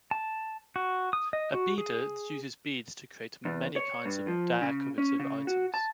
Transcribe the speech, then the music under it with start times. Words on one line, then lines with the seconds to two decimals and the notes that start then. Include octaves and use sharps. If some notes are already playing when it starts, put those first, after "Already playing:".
A beader uses beads to create many kinds of decorative items.
0.11 A5
0.76 F#4
1.13 D#6
1.33 D#5
1.54 F#4
1.78 G#4
3.45 E2
3.76 C#5
4.05 G2
4.27 F3
4.62 C#3
4.98 C#4
5.20 C#3
5.47 F#4
5.74 A5